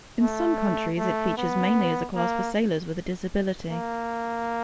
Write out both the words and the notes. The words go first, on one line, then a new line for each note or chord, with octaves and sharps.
In some countries it features mainly as a class for sailors with a disability.
A3
A3
B3
A#3
A#3